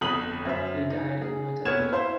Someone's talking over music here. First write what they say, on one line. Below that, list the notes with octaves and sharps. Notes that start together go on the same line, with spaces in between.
He died in Mata-Utu.
G1 F2 B5 D#6 B6 F#7
F#2 C5 E5
D#4
G#4
F1 B3 C#5 F6 G#6 E7
E4 C5 F5 C6